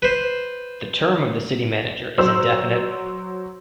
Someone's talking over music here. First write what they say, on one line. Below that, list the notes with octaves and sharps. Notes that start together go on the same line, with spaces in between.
The term of the city manager is indefinite.
B4 C5
F#3 C5 E6